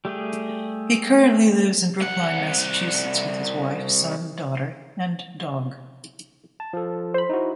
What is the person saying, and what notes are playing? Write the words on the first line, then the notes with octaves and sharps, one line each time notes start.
He currently lives in Brookline, Massachusetts with his wife, son, daughter, and dog.
G3 A3 G4 G#4
C2 F#5
A5
F3 A4
C5 B5
D#4 E4 F#4